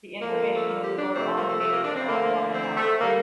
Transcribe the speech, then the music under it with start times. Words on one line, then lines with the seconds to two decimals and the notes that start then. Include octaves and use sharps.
The information was stored on tape for off-line analysis.
0.21 D3 F3 A3 A#3
0.56 A3
0.69 A#3
0.84 G4
0.99 D4
1.14 C3 F3 A3 C4
1.26 A#3
1.38 A#3
1.49 A3
1.61 A3
1.73 A#3
1.84 D4
1.96 C4
2.07 D3 A3 A#3
2.54 C4
2.77 A3
3.00 D3 G3 A#3